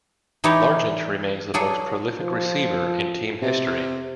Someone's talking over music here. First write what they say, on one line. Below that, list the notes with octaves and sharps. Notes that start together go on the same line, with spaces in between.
Largent remains the most prolific receiver in team history.
E3 D#4 E4 G4 C#5 D5
F#3 G#4 A4 D5
F3
C3